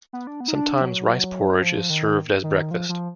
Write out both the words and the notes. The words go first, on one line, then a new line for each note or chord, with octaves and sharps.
Sometimes rice porridge is served as breakfast.
B3
D4
B3
D#4
D4
F#3
F3
D#3
D#3
F3
F3